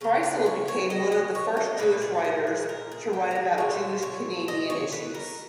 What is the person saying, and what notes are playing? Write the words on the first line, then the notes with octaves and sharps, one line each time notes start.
Kreisel became one of the first Jewish writers to write about Jewish-Canadian issues.
C#3 G#3 C#4
B4
C#5
C#5
D#5
D#5
C#5
D#5
A#2 G#3 B4
G#4
A#4
G#4
A#4
G#4
G4
A#4
G#4
A#2 G#3 C#5
C#5
D#5
C#5
B4
A#4